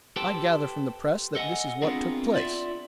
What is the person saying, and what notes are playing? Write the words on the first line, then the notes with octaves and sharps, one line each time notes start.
I gather from the press that this is what took place.
G4 A4 B4 C5 G5 A5
A4 D#5 F5 F#5 G#5
B3 C4 D4 F4 G#4 A#4
F4 D5 E5